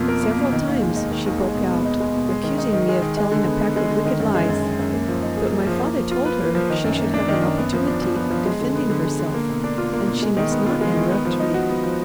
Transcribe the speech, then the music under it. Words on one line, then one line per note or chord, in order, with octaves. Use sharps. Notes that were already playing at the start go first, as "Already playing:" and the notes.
Several times she broke out, accusing me of telling a pack of wicked lies, but my father told her she should have an opportunity of defending herself, and she must not interrupt me.
Already playing: F2 B2 A#3 F4
A#4
A#3
B2
D#3
D#2
G#3
D#4
D#3
D#2
G#3
B2
B3
D#4
G#3
B2
G#3
D#3
D#4
D#3
G#3
D#3
G#3
D3
B3
D#4
G#3
D3
D#3
F#2
G#3
F#2
D#3
F#2
A#3
F3
D#4
G#4
A#3
F3
A#3
F3
F4
B4
A#3
F3
D#3
F#2
A#3
D4
D#3
F#2
B3
F3
D4
F3
B3
F3
G#3
D3
B3
D3
G#3
D3
A#3
B2
D4
F4
A#3
B2
G#3
D#3
B3
F4
G#3
D#3
B3
F3
D#4
F#4
B3
F3